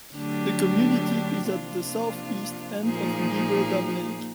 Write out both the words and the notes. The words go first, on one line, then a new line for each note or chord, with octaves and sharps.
The community is at the southeast end of Beaver Dam Lake.
D3 F#3 A3 D4 G4
C3 F3 A#3 D4 F4
A#2 F3 A#3 D#4 G#4